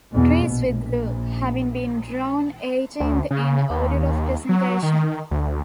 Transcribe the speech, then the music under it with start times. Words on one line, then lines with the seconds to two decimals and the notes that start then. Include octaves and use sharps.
Greece withdrew, having been drawn eighteenth in order of presentation.
0.12 E2 B2
0.50 A#1
3.00 D2
3.30 C#3
3.70 D#2
4.49 F#3
4.83 D#3
5.31 D2